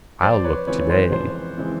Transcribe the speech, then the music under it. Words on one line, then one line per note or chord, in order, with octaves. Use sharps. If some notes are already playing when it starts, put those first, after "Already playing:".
I'll look today.
F2 C5 D5
B4 C#5
C#3 E3 G#3 C4 B4 C#5
C#5
C5
F2 C5
C#3 E3 G#3 C4